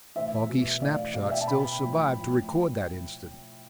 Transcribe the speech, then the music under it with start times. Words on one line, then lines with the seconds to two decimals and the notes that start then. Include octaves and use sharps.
Foggy snapshots still survive to record that incident.
0.15 A2 E3 C5 E5
0.49 B2
0.81 A2 E3 D5 F5
1.14 B2 D5 F5
1.30 E5 G5
1.41 A5
1.47 B2 G5 B5
1.81 A2 F3
2.14 A2 F3